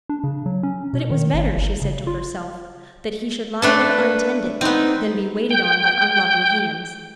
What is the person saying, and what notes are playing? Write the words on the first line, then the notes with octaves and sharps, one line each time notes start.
But it was better, she said to herself, that he should lie there untended, than be waited on by unloving hands.
D4
C#3
F#3
C#4
B2
D#3
G#1
G1
C#3
F4
A3 D4 A4 B4
B3 C4 D#4
G5 G6